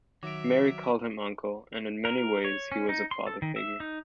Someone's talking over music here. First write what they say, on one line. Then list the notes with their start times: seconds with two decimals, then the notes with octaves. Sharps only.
Marie called him 'Uncle', and in many ways he was a father figure.
0.23 D#3 F#3 E5 D6 D7
2.05 A#4
2.18 A#4
2.44 C#5
2.72 C#4
2.89 D#4
3.11 C6
3.27 A4
3.42 D#3
3.56 E5
3.80 D#4